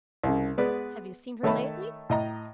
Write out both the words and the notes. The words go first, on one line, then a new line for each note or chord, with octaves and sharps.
"Have you seen her lately?"
C2 C#3
G#3 B3 B4 D5
D#3 A3 C#5 E5 A5 B5
A2 D#5 A#5